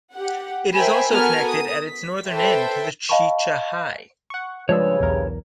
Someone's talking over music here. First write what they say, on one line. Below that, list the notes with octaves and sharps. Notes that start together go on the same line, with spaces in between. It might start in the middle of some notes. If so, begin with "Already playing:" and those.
It is also connected at its northern end to the Shichahai.
G4 F#5
A#4 C5 E5 G5 G#5 B5
B3 F#4 A4 A#4 G#5 F6
D#6
B6
A4 B4 C5 E5 G5
D#5 F5 G5 A5 B5 C#6
F#5 C#6
G2 C#3 F3 G#3 D4 B4 C#5 E6
B1 E2 A#4